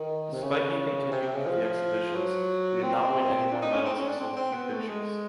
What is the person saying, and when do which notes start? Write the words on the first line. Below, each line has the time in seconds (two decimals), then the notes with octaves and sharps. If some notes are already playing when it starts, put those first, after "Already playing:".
Despite he continued with the exhibitions, he did not win any more medals and sold few pictures.
Already playing: D#3
0.33 C3
0.43 C#3
1.12 C3
1.23 C3
1.34 C#3
1.46 F3
2.15 F#3
2.83 C4
3.52 D4
3.62 D#4
3.74 C#4
3.86 C4
3.97 C#4
4.08 D4
4.20 C4
4.37 C4
4.54 B3
4.72 A3
4.88 G#3